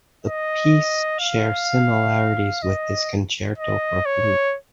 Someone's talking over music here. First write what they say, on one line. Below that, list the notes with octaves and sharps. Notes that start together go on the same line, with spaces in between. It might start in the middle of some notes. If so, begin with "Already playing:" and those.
The piece shares similarities with his concerto for flute.
D#5
F5
D#5
D#5
C#5